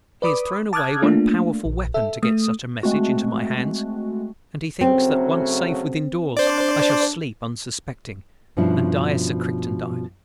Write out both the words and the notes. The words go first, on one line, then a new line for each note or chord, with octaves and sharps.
He has thrown away one powerful weapon--to get such a message into my hands--and he thinks that once safe within doors, I shall sleep, unsuspecting, and die as Sir Crichton died.
B4 D5 B5 D6 D#6
A5 D6 D#6 F6 F#6 G#6
A3 A#3 D4 F4
A#1
A4 E5
A3 D#6
G#3 A3 C4 F#4
C#3 F#3 A3 C4
D4 C5 D5
G2 B2 F3 C#4 D4 E4